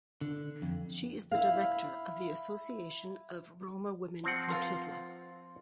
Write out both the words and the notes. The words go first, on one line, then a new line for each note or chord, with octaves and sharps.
She is the director of the Association of Roma Women from Tuzla.
D3
F2
E4 F5
F3 C4 F#5
F4 A#4 C6